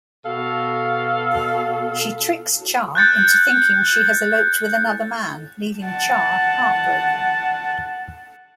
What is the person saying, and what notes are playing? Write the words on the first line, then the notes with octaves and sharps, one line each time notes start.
She tricks Char into thinking she has eloped with another man, leaving Char heartbroken.
B2 A4 F5
F#6 G6 A6 C#7
F#5 A5